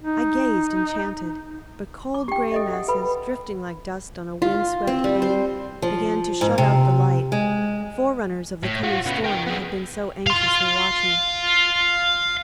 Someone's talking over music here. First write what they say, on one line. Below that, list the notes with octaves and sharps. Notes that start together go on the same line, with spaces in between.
I gazed enchanted, but cold gray masses, drifting like dust on a wind-swept plain, began to shut out the light, forerunners of the coming storm I had been so anxiously watching.
D#4
D6
G4 G5
A4 D#5 E5
F#5
A4 B4 B5
F4
C4
G3
C5
F3
G#2
C3
G#3
A2
F4 F#4
C#3 B3
A#4 G5
B3 G#4
F5 C6